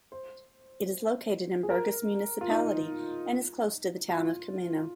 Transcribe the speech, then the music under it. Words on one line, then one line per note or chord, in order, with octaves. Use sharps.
It is located in Burgas Municipality and is close to the town of Kameno.
C5
G#4
A#4
F4
D#4
F4